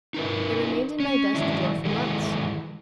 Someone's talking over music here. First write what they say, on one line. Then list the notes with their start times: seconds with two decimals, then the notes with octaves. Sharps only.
It remained in my desk-drawer for months.
0.14 D#4 A#4 B4
1.00 C#4
1.34 D#3 E3 F#3 G#3 D4 E4
1.85 D#3 E3 G#3 A4